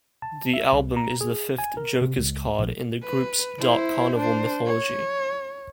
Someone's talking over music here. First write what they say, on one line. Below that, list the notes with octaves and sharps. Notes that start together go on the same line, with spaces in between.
The album is the fifth Joker's Card in the group's Dark Carnival mythology.
A5
E5
C2
A#5
G#4
G#5
A#4
C3
C#2
A#1
B4
E4 C5
D4 C5
C#5